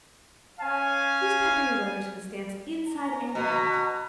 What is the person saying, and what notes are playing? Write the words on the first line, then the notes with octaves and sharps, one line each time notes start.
PLEASE pepper your letters with stamps, inside and out.
C#4 F5 G#5
A#5
B2